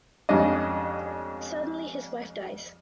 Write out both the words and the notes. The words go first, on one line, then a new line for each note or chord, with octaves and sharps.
Suddenly his wife dies.
F2 G#2 G3 C#4 D4 D#5